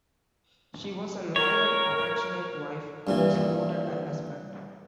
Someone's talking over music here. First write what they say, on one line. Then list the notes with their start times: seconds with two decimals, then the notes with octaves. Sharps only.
She was a loyal, affectionate wife, who supported her husband.
1.36 A#4 C#5
3.07 G2 A#2 E3